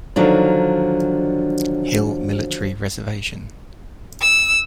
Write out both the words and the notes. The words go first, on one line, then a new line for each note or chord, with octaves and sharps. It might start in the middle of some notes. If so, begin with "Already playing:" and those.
Hill Military Reservation.
D3 D#3 F3 F#3 D4
E6